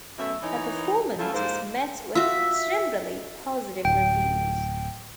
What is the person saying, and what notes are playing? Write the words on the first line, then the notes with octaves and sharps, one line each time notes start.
Her performance was met with generally positive reviews.
F#2 B2 A3 E5
E3 D#4 C#5
C#3 F3 F#3 E4 F4 A4
G#2 A#3 C5
F4 F#4 E5
D1 G5